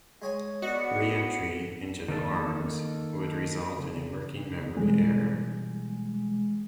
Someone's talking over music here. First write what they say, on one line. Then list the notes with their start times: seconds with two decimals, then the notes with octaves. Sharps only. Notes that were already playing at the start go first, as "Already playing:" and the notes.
Re-entry into the arms would result in a working memory error.
0.22 G#3 C#5 G#5
0.62 B3 F#4 D5 D#5 C#7
2.09 D#3 A#3 A4
3.79 C#3
4.77 B2 E3 G3 G#3